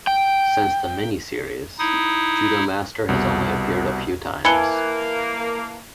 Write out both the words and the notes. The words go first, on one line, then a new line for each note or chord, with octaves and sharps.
Since the mini-series, Judomaster has only appeared a few times.
G5
D#4 E4 D#6
C2 B2
E3 A#3 A5 B5 F#6 G#6 C#7 G7